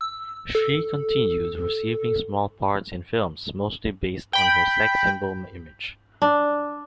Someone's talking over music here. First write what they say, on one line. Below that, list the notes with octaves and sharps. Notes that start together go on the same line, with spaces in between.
She continued receiving small parts in films mostly based on her sex symbol image.
E6
A4
G5 B5
D4